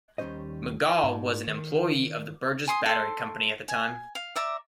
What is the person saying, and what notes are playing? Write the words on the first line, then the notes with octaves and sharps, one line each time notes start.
McGall was an employee of the Burgess Battery Company at the time.
D#2 D#3 G3 C#4 C5 D#5
G#2
D#3
G#5 C6 D#6
A4 C6
G#5
F5
D5 E5 A#5 D6